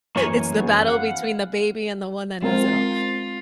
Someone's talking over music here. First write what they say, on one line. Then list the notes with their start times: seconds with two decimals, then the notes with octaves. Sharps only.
It's the battle between the baby and the one that knows it all.
0.16 F#2 E3 F#3 A#3 C#5 G#5
0.58 F#2 B3 G#4
0.88 F5 F#5 F6
2.42 G#3 C4 F4 A#4